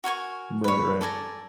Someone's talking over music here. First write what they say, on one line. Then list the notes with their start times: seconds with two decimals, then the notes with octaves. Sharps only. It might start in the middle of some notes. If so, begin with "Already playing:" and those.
Right, right.
0.04 F#4 A#4 G#5 C#6
0.64 B4 C#5
1.01 A4 D5 G#5 A#5